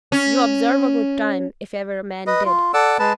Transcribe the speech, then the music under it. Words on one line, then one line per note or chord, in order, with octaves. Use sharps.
You observe a good time if ever a man did.'
C#4
B4 D#5
F4
A4 D5 F#5 E6
G#3 B4 A5